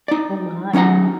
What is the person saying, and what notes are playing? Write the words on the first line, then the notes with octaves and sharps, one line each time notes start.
Oh my.
D#4 D5
F#3 C#4 D#4 F#5 A#5